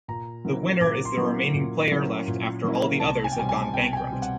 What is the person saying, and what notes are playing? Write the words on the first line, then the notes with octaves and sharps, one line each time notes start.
The winner is the remaining player left after all the others have gone bankrupt.
A#2 A#5
F#3 A#3 C#4 E4
A#2 D6
C6
F#3 A#3 C#4 E4
A#2
F#3 A#3 C#4 E4
A#2
F#3 A#3 C#4 E4
C2 A5
G#5
G5
B2 G3 C4 G#5
G#5
C2 G5
G#5
G5
B2 G3 C4
F#5